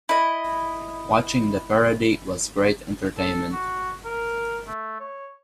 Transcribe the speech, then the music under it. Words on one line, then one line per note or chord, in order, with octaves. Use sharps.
Watching the parody was great entertainment.
E4 D#5
A4
F#4
A#4
A3
C#5